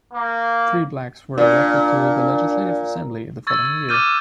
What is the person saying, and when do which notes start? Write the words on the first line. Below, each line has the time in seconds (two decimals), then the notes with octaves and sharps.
Three Blacks were elected to the legislative assembly the following year.
0.13 A#3
1.38 A#2 D4
3.47 C#6 E6 G#6 A6
3.89 D6 F6 G6 A6 D#7